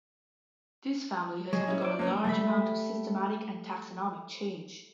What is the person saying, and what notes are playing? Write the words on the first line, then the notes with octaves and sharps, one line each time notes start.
This family has undergone a large amount of systematic and taxonomic change.
A#2 F#3 G#4 D#5
C#4 E4
C5 D5
E2 A#3 C#4
G3 A3 B5